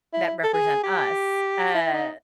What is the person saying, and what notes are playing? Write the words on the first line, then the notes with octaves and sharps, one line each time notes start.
that represent us. Uh,
E4
A4
G#4
G4
E4
D#4